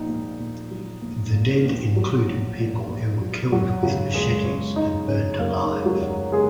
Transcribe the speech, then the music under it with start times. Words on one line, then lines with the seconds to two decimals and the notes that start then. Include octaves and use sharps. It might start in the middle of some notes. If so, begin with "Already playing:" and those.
The dead included people who were killed with machetes and burned alive.
Already playing: A#1 D#4
0.08 A#2
0.40 A#1
0.71 F#3
1.02 A#1
1.33 A#2
1.65 A#1
1.96 F#3
2.28 A#1
2.59 A#2
2.90 A#1
3.21 F#3
3.52 F#2 F#3 F#4
3.82 C#3 F#3 F#4
4.14 F#2 G#3 G#4
4.45 G#3 C#4 C#5
4.76 F#2 D#4 D#5
5.08 C#3 C#4 C#5
5.39 F#2 A#3 A#4
5.62 D#4
5.70 G#3
5.85 F#3 F#4
6.02 F#2
6.32 C#3 G#3 G#4